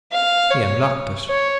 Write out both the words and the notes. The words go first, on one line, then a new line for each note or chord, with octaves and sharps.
He unlocked it.
F5
C#5
C#5